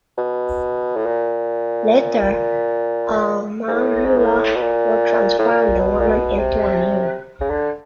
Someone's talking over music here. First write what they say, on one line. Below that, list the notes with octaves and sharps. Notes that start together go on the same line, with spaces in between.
Later, Almamula would transform the woman into a mule.
B2
A2
A#2
G#2
A2
G#2
A2
B2
A#2
A2
A#2
B2
A#2
B2
C3
C#3
D3